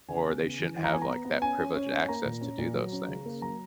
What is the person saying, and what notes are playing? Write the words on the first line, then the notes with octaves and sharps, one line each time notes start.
or they shouldn't have like that privileged access to do those things.
C#3 G#5
B3
C#3
E3
E3
A#5
B3 G#5
A#5
B3
B3
C#4 G#5
C#4
C#4
C#4
A#3 A#5
A#2
C#4
A#2
F#3
C#4
C#3
A#3
F#3 A#5